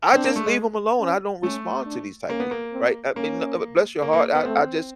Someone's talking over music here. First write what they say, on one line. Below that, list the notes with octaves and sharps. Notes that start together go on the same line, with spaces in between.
I just leave 'em alone. I don't respond to these type people, right? I mean, "uh uh, bless your heart. I I just,
C4 D4
A#3
A3
G#3
C#4
A3 C#4
D4
A#3 C#4
B3
A#3
C4
A#3 C#4
A#3
A#3
B3
A3 C4